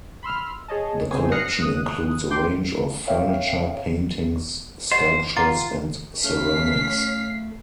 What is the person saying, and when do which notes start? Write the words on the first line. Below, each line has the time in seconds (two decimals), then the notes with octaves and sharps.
The collection includes a range of furniture, paintings, sculptures and ceramics.
0.23 B5 C6 E6 F6
0.68 G#4 C#5 D#5 A5
1.11 C#3 C4 C5 G#5
1.31 D#6 F6 F#6 A#6 C7 C#7
1.62 D#6 F#6
2.31 G5 C6 D6 G6
3.08 C#5 E5 F5 G5
4.91 G4 C5 D#5 F#5
5.37 F4 F#5 A#5 D6
6.24 A3 C#4 F5 B6 C7